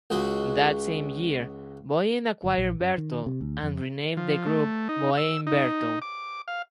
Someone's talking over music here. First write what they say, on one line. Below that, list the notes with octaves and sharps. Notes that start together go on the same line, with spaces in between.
That same year Boeing acquired Vertol and renamed the group Boeing Vertol.
C#2 C#3 G#3 F#4
G1
A#1
F#2
D#3
C3
D2
F2
F3
A3
D#4
E6
D#4
D6
F5